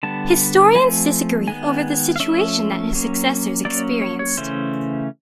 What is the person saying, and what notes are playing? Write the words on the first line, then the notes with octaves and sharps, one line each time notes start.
Historians disagree over the situation that his successors experienced.
D3 G3 B3 A5
F3 A3 C4 G#5
D#3 G#3 B3 G#5
F5
F3 A3 C#4 E5
F#3 A#3 C#4
F#3 A#3 C#4 D5
C#5
C#5
C#3 E3 A3 C#4 C5